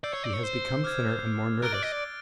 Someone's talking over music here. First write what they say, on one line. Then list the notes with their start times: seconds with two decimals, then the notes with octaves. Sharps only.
He has become thinner and more nervous.
0.04 D5 E6 G6 C7
0.13 C#5
0.24 D5
0.33 C#5
0.43 C5
0.84 D6 F6 G#6
1.62 A#4 F#6 A6 D7 G7
1.72 D5
1.83 D#5
1.92 D5